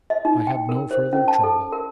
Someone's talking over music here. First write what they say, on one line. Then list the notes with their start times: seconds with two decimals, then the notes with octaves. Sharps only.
I had no further trouble.
0.10 D#5
0.25 D#4
0.47 G5
0.69 A#4
0.91 C5
1.13 C#4
1.28 A5
1.44 A4
1.72 A#4